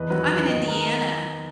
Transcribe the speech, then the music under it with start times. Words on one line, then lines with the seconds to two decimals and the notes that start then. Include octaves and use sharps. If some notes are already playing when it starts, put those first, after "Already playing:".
I'm in Indiana.
Already playing: E2 B4 D#5
0.10 D#3 F#3 B4
0.29 B4
0.48 D#3 D#5
0.68 A#4